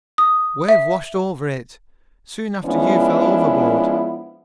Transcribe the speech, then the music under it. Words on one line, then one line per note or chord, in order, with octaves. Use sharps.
Wave washed over it--soon after you fell overboard.
D#6
E5
F3 G#3 B3 C#4 D4 E4